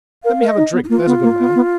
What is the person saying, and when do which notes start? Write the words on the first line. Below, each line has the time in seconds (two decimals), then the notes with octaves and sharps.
Let me have a drink, there's a good man.
0.24 A#4 F5
0.40 A#4
0.46 D#5
0.57 D#4
0.73 B3
0.84 D#4
0.89 A#3 F4
1.07 B3
1.23 A#3
1.40 B3
1.55 B3